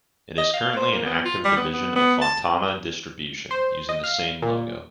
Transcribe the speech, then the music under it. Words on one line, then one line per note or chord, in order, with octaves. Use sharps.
It is currently an active division of Fontana Distribution, using the same logo.
D#5
F5
C5
A#3
B3
F4
G3
B3
B3
B3
A5
C5
D#5
F5
A#2